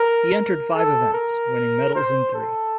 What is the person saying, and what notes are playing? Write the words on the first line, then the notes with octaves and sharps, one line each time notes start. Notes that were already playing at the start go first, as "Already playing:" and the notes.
He entered five events, winning medals in three.
Already playing: A#4
A#4
A4
A#4
C5
A4